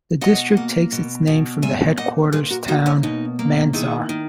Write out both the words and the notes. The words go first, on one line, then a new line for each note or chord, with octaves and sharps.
The District takes its name from the headquarters town, Mandsaur.
B2 D#5 F#5
A#3
B2
B2
A#2 E5 G#5
A#2 D#5 F#5
A#2 G#4 B4
F#4 A#4
A#3 D#4 F#4
C#4 E4
B2 D#4
A#3
D#3 E4 G#4
D#3